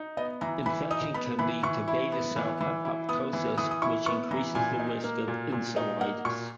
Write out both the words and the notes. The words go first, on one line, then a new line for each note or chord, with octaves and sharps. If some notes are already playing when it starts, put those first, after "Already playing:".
Infection can lead to beta-cell apoptosis which increases the risk of insulitis.
Already playing: D#4
B3 D#5
E3 A#5
E3 B5
D#4 D#6
B3 B5
E3 B5
E3 C#6
E4
B3
E3
E3
E4
B3 D#6
E3
E3 D#6
D#6
E4 C#6
B3 C#6
E3 A#5
A#2 G#5
D#4
A#3
A#2
A#2
D#4
A#3 F#5
A#2 C#6